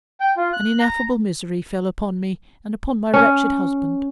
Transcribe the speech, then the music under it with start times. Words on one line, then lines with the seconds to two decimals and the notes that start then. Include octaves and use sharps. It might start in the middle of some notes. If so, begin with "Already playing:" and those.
An ineffable misery fell upon me and upon my wretched husband.
0.20 G5
0.37 F4
0.53 F#6
0.80 A#5
3.14 C#4